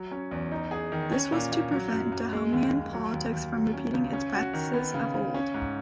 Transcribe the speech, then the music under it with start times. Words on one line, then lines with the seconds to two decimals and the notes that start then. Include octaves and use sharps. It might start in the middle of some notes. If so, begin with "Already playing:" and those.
This was to prevent Dahomeyan politics from repeating its practices of old.
Already playing: F#3
0.11 C#4
0.31 E2
0.52 D#4
0.71 G#4
0.92 D#3
1.12 C#4
1.32 A#2
1.52 A#2
1.71 F#3
1.92 F#2
2.12 F#2
2.33 G#3
2.52 D#2
2.73 D#2
2.93 F#3
3.13 D#2
3.33 D#2
3.53 F#3
3.74 C#4
3.93 C#2
4.13 C#4
4.33 F#4
4.53 D#3
4.74 B3
4.94 C#3
5.14 C#3
5.34 C#4
5.54 G#2